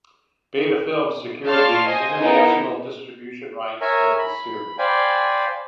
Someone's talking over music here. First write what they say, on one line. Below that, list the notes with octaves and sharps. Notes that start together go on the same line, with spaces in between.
Beta Film secured the international distribution rights of the series.
C#5 D5 F5 A5 C6 F6
C5 D#5 G#5
B3 D#4 E4 A#4
A#4 C#5 E5 G#5 A#5
B5
C5 D5 F5 G5 G#5 B5